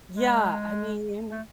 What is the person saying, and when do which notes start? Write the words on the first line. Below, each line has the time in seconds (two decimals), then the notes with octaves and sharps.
Yeah, I mean
0.14 G#3
1.31 A3